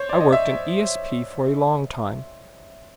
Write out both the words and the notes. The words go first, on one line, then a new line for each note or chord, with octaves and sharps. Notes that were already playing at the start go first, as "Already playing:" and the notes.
I worked in ESP for a long time.
Already playing: C5 C#5
D5
D#5
E5